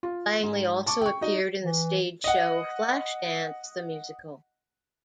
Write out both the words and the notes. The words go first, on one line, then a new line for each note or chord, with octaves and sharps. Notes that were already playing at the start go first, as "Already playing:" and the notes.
Langley also appeared in the stage show "Flashdance the Musical".
F4
G#2
A5 C#6 D6
G5 C#6
D#4 F#4 D#5
E3
D#5 F#5